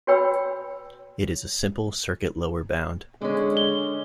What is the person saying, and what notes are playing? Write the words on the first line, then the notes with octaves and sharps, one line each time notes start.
It is a simple circuit lower bound.
F#4 B4 C#5 G5 B5 E6
D3 G#3 C#4
G7